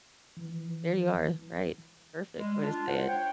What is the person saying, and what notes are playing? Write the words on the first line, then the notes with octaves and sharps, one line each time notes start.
There you are, right, perfect way to say it.
E3
G3 G#3
D4 F4
C5 F#5
C#5 G5